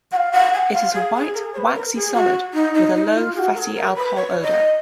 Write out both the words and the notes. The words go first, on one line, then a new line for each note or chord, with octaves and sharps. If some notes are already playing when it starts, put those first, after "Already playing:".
It is a white waxy solid with a low fatty alcohol odor.
F#5
F5
F#5
G#5
F#5
F5
G#4
G#4
A#4
G#4
C#5
B4
A#4
G#4
F#4
D#4
D#4
D#4
F4
G#4
F#4
A#4
G#4
A#4
B4
C#5
D#5